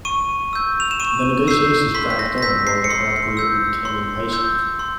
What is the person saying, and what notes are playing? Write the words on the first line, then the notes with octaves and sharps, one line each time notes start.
The negotiations dragged on while the crowd grew and became impatient.
C#6 D#7
E6 G6
F7
E7
C#6 D#7
E6 G6 C7
C6 B6
B6
A#6
A#6
E6 G6 B6
C7
C#7
C6 C7
E6 G6
C6
E6 G6
C6